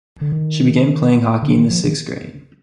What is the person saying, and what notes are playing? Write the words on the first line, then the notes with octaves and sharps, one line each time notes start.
She began playing hockey in the sixth grade.
D3
D#3
D3
D#3
F3
D#3